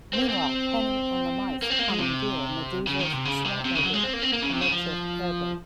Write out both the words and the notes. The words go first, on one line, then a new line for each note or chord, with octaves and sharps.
Meanwhile, Penny and the mice commandeer Medusa's swamp-mobile, a makeshift airboat.
C4
A#3
C4
A#3
C4
A#3
G#3
C3
C#3
D#3
C3
C#3
C3
C3
C#3
F#3
G#3
C4
A#3
C4
A#3
C#3
C3
C#3
F3